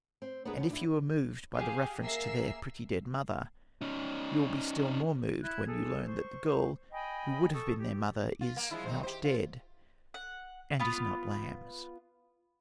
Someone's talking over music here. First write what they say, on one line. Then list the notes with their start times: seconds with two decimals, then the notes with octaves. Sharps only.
And if you were moved by the reference to their "pretty dead mother," you will be still more moved when you learn that the girl who would have been their mother is not dead and is not Lamb's.
0.22 C4
0.45 B3 D4 G4 G#4 A#4 B4
0.57 F3 B3 C#4
0.70 D4 E4
1.55 G4 G#4 F5
1.99 A#3 G#4 A#4 E5 E6 C7
3.81 C#4 D#4
5.42 E4 F#6 G#6
5.66 G#4 A4
6.06 C5 C#6
6.92 D#5 G5 G#5 B5
7.52 A4 C#6 D#6
7.80 G4
8.41 F4
8.56 A#3
8.71 F3 G#3 E4
8.86 D#3 D#4 C5
9.03 G4 C5
9.24 F4
10.14 F#5
10.80 B3 F4